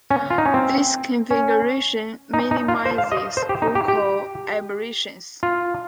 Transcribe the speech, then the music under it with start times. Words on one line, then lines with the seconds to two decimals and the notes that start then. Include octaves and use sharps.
This configuration minimises focal aberrations.
0.11 C#4
0.31 F4
0.38 D#4
0.46 C#4
0.54 C4
1.31 C#4
2.34 D#4
2.51 D#4
2.68 F4
2.85 C5
2.98 F5
3.12 D#5
3.37 C5
3.49 G4
3.62 D#4
3.75 G4
3.88 G4
5.43 F4